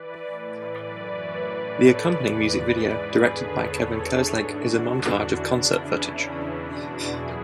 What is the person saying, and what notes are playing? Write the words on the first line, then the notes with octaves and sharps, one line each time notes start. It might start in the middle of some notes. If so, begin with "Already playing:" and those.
The accompanying music video, directed by Kevin Kerslake, is a montage of concert footage.
Already playing: E3 B4 D5
A2 E3
B4 D5
F#2 E3 B4 D5
C#5 E5
A2 E3 B4 D5
A4 C#5
E2 C#3 E3 B4 D5
B4 D5
G#2 E3
G#4 B4
E2 D3
A4 C#5
E2 D3 A4 C#5
E4 G#4
G#2 E3 D4 F#4
D4 F#4
E2 D3
C#4 E4
E2 C#3 E3 D4
C#4 E4
E2 C#3 E3 C#4 E4
D4
E2 B2 D4 F#4
E4 G#4
F#2 E3